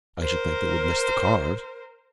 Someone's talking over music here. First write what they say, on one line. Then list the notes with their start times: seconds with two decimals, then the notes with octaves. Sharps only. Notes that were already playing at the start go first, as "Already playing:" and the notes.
"I should think they would miss the cars."
0.20 A#4 C5